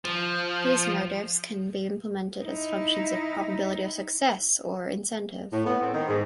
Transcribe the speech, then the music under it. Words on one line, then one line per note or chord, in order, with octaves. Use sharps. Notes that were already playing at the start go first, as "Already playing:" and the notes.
These motives can be implemented as functions of probability of success or incentive.
F3
D#4 E4
A2
B3
C4
D#3
G#2